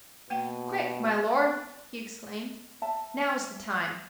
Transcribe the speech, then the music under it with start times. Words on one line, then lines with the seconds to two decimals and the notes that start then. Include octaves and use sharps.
"Quick, my lord," he exclaimed, "now is the time."
0.30 B2 A#3 F#5 G5
2.82 E5 A5